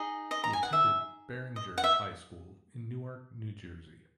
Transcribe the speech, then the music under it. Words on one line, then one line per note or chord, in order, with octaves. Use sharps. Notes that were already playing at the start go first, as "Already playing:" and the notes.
He attended Barringer High School in Newark, New Jersey.
Already playing: D#4 G#4 D#5
D#5
A#5
G#5
F#5
E5
D#5
F#5
E5